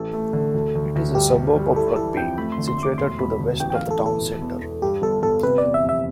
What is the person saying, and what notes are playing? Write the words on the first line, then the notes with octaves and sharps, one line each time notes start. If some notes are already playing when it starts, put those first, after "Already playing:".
It is a suburb of Rugby, situated to the west of the town centre.
Already playing: A1 A3 A4
A3
D3
D2
D2
D2
G2 G4
G3
G3
E4 A4
E3 A4
F2 G5
A3 B5
C6
D3
C6
A3
D6
E1 C6
E1 B5
D2
A1 G5
G5
A1 F5
A4
E3
A4
E1
E2
E2
G2 G4
G1 A4
G1 A4
C3 B4
D5
E2
E5
F1 E5